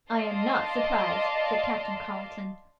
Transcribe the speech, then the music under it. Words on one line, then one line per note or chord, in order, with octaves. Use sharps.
"I am not surprised," said Captain Carleton.
D5 D#5 F5 A5 C6